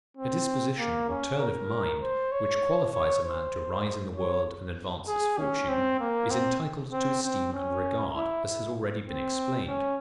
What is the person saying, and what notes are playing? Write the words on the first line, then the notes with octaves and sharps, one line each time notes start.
A disposition or turn of mind, which qualifies a man to rise in the world and advance his fortune, is entitled to esteem and regard, as has already been explained.
C4
A#3
C#4
A#4
C5
C#5
C#5
C5
C#5
G#4
C#4
C4
A#3
C4
C4
C4
C#4
E4
E4
C4
C#4